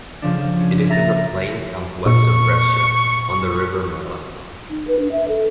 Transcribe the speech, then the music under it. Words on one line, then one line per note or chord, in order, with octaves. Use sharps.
It is in the plain southwest of Brescia, on the river Mella.
C#3 F3 D4
C#4
E5 A#5 A6 A#6
A#2 C#6
D#4
B4
D4
E5
A4